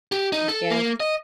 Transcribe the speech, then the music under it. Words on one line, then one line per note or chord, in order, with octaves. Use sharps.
Mm, yes.
G4
D#4
A4
A#3
D#5